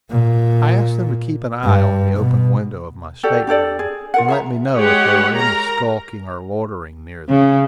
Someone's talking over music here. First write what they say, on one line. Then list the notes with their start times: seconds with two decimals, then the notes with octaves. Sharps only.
I asked them to keep an eye on the open windows of my state-room, and let me know if there were any skulking or loitering near them.
0.10 A#2
1.64 G2
2.16 B2
3.23 F#4 G4 A4 D5
3.47 D4 G4 A4 D5
3.79 G#4
4.14 F4 A#4 F#5
4.28 G#4 E5 A#5
4.75 G#3 G4 G#4 C#5 F#5
5.36 A#4 A#5
7.29 C#3